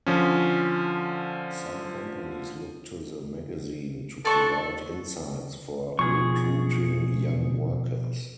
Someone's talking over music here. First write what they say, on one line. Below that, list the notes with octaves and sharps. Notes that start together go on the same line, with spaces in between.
Some companies looked to the magazine to provide insights for recruiting young workers.
D3 F3 C#4
D4 A4 C#6
B2 F3 G#4 C#6